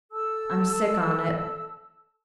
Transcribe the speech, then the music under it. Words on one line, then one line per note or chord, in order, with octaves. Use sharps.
'I'm sick on it.
A4 A5 E6